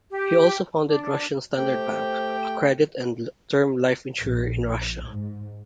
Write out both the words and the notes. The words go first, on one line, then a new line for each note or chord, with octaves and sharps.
He also founded Russian Standard Bank, a credit and term life insurer in Russia.
G4
D4
A3 G4 C5 G5
A#1
G#2